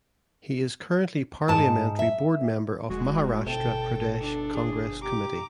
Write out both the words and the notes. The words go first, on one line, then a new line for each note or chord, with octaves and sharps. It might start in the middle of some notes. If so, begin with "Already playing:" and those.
He is currently Parliamentary Board Member of Maharashtra Pradesh Congress Committee.
G#2 A5
E5
E1 G#3 F#4
G1 B2 A4 G5 A5
D4
G#4
G4 A#5 D6